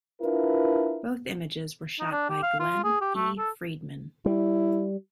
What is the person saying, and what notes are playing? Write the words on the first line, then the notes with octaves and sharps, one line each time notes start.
Both images were shot by Glen E. Friedman.
D4 E4 F4 A#4 B4
D#4
D4
G4
F5
F4
G#4
G4
A3
A4
G3 E4